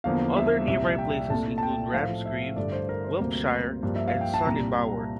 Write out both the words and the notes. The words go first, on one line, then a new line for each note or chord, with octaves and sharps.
Other nearby places include Ramsgreave, Wilpshire and Sunnybower.
E2 D3 F3 A#3 F5
E5
C2 A#2 G3 E5
G5
C2 A#2 A3 A5
A5
G5
A2 F3 A3 F5
E5
G2 D3 A3 D5
C5
A#4
C5
D2 C3 G3 A#3
G2 F3 A#3
E5
F5
G5
A5
C2 A#2 G3 A#5